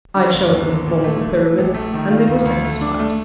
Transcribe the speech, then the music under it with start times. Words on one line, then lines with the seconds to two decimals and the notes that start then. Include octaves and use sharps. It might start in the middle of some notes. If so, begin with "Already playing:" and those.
I showed them the form of a pyramid, and they were satisfied.
0.16 D3
0.33 G1
0.50 D#2
0.69 D3
0.87 A#2
1.04 A3
1.21 A3
1.40 A3
1.58 A#1
1.74 A3
1.93 D#3
2.10 F4
2.28 D2
2.45 D2
2.64 A3
2.81 D4
2.99 A3